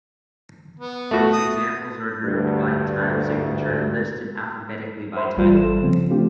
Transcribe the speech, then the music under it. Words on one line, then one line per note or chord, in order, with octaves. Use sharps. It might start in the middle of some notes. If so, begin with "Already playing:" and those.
These examples are grouped by time signature, and listed alphabetically by title.
B3
A3 F#4
D#6
D2 G2
C5 E5 B5 C6
G#1 E3 G3 F4 C6
A4 E7
C#3 F3 C4
F3 A3 D4 F4 G4